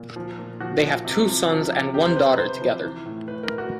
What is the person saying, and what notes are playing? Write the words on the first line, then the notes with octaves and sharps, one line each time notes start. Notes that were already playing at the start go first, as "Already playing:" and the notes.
They have two sons and one daughter together.
Already playing: A#2
F3
A#2
F3 F#4
F3
C3
F3
F3
C3
C3 G4
C5
C3 B4
B4
C3 C5
F3
E3
A2
A2 B4
A#4
A2
F#4